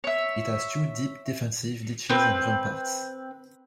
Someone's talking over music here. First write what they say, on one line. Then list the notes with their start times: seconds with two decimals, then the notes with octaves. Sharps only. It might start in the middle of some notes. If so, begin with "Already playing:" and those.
It has two deep defensive ditches and ramparts.
0.04 C#5 E5
2.10 C4 B4